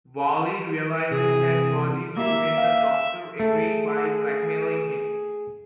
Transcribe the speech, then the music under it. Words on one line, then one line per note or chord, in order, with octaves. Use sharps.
Valli realises that Vadivu made the doctor agree by blackmailing him.
C3 E3 G#4
A#3 E5
F5
A3 G#4